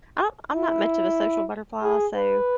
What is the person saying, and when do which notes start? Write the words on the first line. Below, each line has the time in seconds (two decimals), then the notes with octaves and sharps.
I'm I'm not much of a social butterfly, so
0.53 E4
1.84 G#4
2.16 B4